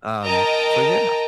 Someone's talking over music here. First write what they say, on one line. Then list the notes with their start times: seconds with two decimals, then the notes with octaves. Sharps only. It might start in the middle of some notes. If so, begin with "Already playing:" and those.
Um so yeah,
0.24 A#4 D#5 G5 A5 A#5